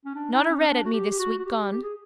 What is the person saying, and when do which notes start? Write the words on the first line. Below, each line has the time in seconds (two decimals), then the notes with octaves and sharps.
Not a red at me this week gone.
0.05 C#4
0.15 D4
0.33 D#4
0.49 C#4
0.59 C#4
0.67 D4
0.85 F#4
0.93 G4
1.10 G4
1.19 F#4
1.38 F#4
1.45 G4
1.71 G4
1.82 G#4